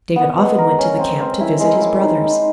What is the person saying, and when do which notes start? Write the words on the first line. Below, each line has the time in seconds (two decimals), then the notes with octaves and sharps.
David often went to the camp to visit his brothers.
0.16 B3
0.37 G#3
0.58 A#4
0.79 C#4
0.99 C4
1.20 C4
1.40 E4
1.60 G#3
1.82 A#3
2.02 D#4
2.23 D#4